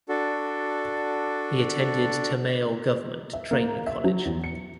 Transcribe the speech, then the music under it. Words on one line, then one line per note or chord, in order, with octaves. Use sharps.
He attended Tamale Government Training College.
D4 F#4 A4
E5
A#3
E5
F#3
E2
C#7